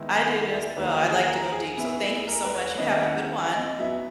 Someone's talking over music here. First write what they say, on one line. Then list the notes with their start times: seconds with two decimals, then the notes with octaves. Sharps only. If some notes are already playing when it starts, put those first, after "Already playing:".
I did as well. I'd like to go deep. So thank you so much. You have a good one.
Already playing: D#3 G#3 B3 E4
0.26 F#5
0.52 E5
0.77 D#3 A#3 E4 B4
0.93 F#4
1.10 G#4
1.27 A#4
1.52 G#4
1.77 E3 B3 E4
2.16 G#4
2.28 A#4
2.45 B4
2.54 C#5
2.62 B4
2.78 D#3 A#3 C#4 E4 D#5
2.92 E5
3.03 F#5
3.53 D#5
3.79 F#3 B3 E4 E5